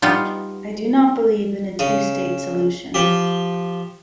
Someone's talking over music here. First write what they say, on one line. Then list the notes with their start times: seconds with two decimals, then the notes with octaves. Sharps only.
I do not believe in a two-state solution.
0.02 G3 B3 D#4 F4
1.79 C#3
2.94 F3 G4